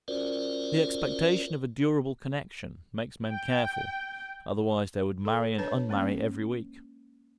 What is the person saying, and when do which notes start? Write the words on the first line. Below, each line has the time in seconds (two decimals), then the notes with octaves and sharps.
The expectation of a durable connection makes men careful, otherwise they would marry and unmarry every week.
0.08 C#4 F4 F#4 A#4 C5 D5
3.28 G5
5.25 A4
5.58 D4 B4 C#5 A5
5.89 G#3 A#3 C#4